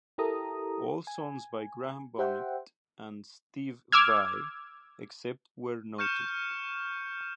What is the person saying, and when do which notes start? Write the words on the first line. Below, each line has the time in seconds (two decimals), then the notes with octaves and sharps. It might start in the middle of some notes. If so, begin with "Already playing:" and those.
All songs by Graham Bonnet and Steve Vai, except where noted.
0.18 E4 G4 A4 A#4 A#5 D#6
1.07 G#5
2.18 G4 C5 E5 F#5 G5
3.92 D6 E6 F6 G#6
5.98 C#6 F6 G6 C#7 E7